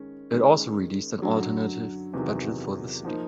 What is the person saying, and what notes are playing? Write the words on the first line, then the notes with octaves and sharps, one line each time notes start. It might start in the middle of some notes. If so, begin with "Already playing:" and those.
It also released an alternative budget for the city.
Already playing: D#3 G#3 C#4
D#3 G#3 C#4
F#2 D3 F#3
E2 C3 D#3 F#3
F3 A#3 D#4